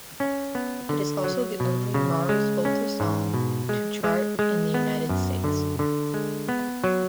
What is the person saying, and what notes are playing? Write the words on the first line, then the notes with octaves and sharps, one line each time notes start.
It is also the only Mars Volta song to chart in the United States.
C#4
B3
D3
F#3
B2
C#3
G#3
C#4
G#2
B2
G#3
G#3
G#3
B3
F#2
D3
D3
G#3
B3
F#3